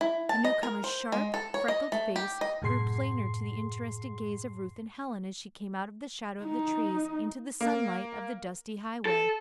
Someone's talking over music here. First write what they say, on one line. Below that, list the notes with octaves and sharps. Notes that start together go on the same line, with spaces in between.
The newcomer's sharp, freckled face grew plainer to the interested gaze of Ruth and Helen as she came out of the shadow of the trees into the sunlight of the dusty highway.
E4
A5
D#5
A#4
C5
G#3
A4
C#5
D#5
A3
G4
D#5
F#2 A2 C3 G#4 C6 C7
D#4
A#3
A4